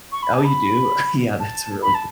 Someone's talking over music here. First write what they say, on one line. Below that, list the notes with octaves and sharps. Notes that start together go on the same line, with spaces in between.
Oh, you do? Yeah, that's really g
C#6
B5
G#5
A5
B5
A5
B5
A5